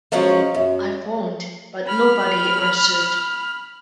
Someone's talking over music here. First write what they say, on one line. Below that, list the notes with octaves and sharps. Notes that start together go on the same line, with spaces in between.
I phoned but nobody answered.
F3 F#3 G#3 C#4
F#2
B5 F6